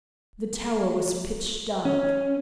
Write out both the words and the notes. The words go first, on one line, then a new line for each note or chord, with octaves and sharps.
The tower was pitch dark.
C#4